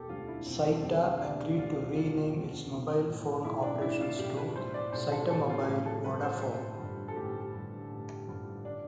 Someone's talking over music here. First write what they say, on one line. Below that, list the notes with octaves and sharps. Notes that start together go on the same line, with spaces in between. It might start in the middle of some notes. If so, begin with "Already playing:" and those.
Cyta agreed to rename its mobile phone operations to Cytamobile-Vodafone.
Already playing: E1 G4 A4
D2 D3 F3 F4
E4
E1 C4
C4
D2 D3 F3 C4
E1 D4
D2 D3 F3 F4
E1 F4
D2 D3 F3
B1
A2 F3
B1 E4
D4
A2 F3 E4
F4
B1 G4
B4
A2 F3 C5
D5
B1 C5
A4
A2 F3 A4
F4
A1 G4
A4
G2 D3 F3 B4
C5
A1 C5
G2 D3 F3
A4
A1 G4
G2 D3 F3
A1
G2 D3 F3
D4